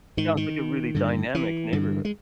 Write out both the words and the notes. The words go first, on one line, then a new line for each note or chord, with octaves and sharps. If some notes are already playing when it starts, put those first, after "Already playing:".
Sounds like a really dynamic neighborhood.
G#2 D#3
D#3
G2 D3
E3
G2 D3
G#3